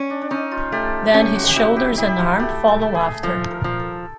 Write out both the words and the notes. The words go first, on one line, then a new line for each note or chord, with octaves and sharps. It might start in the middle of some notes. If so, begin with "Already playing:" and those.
Then his shoulders and arm follow after.
Already playing: C#4
D4
D4
C#4 D#4
F4
A3 G4
C#4 G4
F#4
G4
E4 F#4
G4
E4 G4
F#4
A3 G4
A4
A3
G#4
F3 A4
A#4
F3
A4